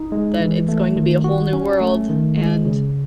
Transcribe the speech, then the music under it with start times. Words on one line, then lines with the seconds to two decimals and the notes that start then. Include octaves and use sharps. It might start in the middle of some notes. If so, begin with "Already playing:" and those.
that it's going to be a whole new world, and,
Already playing: D#4
0.12 G#3
0.40 E3
0.68 A3
0.96 D#3
1.24 F#4
1.53 C#4
1.81 A3
2.09 D#3
2.37 G#3
2.65 C#3